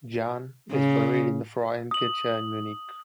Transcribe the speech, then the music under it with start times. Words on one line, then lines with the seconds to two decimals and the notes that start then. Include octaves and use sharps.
John is buried in the Frauenkirche in Munich.
0.72 C#3
1.91 D#6 F#7